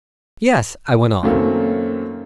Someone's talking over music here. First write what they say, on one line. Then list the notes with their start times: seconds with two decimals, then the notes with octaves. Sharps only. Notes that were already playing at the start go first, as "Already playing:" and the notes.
"Yes," I went on.
1.23 F#2 D#3 F#3 A3 A#3 C4